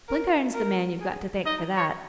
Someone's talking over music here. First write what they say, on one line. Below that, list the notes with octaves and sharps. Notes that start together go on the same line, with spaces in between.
Blenkiron's the man you've got to thank for that.
A#4
A#4
G#4
D#4 D#5
C#5